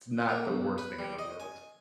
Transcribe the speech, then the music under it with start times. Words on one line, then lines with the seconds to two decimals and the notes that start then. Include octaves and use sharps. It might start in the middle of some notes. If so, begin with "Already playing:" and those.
it's not the worst thing in the world.
0.29 A#3
0.45 B1
0.78 B4
0.99 G3
1.19 D#5
1.40 G#5